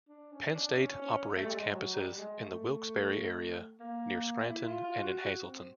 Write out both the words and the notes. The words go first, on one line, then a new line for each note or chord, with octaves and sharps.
Penn State operates campuses in the Wilkes-Barre area, near Scranton and in Hazleton.
D4
C#4
D4
C#4
C#4
A3
G3
G#3
F#3
G3
G#3
A3
A#3
E4
F4
F4
F#4
F#4
C4